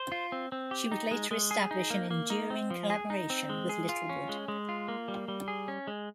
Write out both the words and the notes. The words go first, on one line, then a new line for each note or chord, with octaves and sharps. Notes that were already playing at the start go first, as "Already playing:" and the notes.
She would later establish an enduring collaboration with Littlewood.
Already playing: C5
F4
C4
C4
G4
D#4
G#3
G#3
G#4
D#4
A#3
A#3
D#4
C4
F3
G#4
D#4
C4
G#3
G#4
F4
C#4
G#3
G#3
F4
A#3
G3
G3
G#4
C#4
G#3